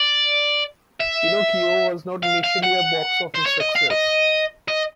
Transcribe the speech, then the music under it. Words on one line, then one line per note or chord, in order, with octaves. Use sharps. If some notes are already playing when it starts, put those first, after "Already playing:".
"Pinocchio" was not initially a box office success.
Already playing: D5
E5
F5
F5
F#5
C5
C#5
D#5
F5
D#5
D#5